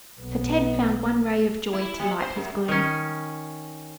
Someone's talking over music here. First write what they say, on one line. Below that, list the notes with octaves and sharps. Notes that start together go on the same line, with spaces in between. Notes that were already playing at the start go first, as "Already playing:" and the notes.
So Ted found one ray of joy to light his gloom.
B1 B3
E4
G3
C5
F#2
D#3 C#4